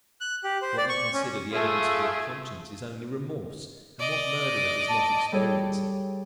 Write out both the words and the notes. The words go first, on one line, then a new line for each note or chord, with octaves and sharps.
What you consider the evidence of your conscience is only remorse; and what murderer does not experience it?
F#6
G4
C5
D5
C#6
C#4
A3 F4 G#4 E5
D5 D#5
A5
G3 G#4 A4 C#5